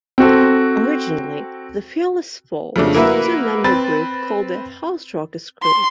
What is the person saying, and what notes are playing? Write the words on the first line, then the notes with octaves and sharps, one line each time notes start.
Originally, the Fearless Four was a two-member group called the Houserockers Crew.
C4 F#4 A4
F2 C#3 A3 D4
A#3 E4 F#4 A#4 B4 E5
C4 B4 B5 A6
C6